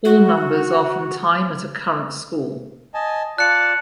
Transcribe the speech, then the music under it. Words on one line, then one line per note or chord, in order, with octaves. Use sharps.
All numbers are from time at current school.
F#4
D#5 G#5 A5
F4 D5 A5 F#6 C#7